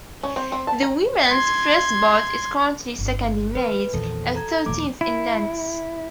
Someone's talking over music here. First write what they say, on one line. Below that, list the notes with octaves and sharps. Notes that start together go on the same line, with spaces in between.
The women's first boat is currently second in Mays and thirteenth in Lents.
C#4
C4
C4
A5
A#5
C6 G#6
G1
D#3 B4
E2 A#2 D#3 F3 A4
A4 A#5 G#6
D#2 A#2 F3 A3 A#3 D6
E4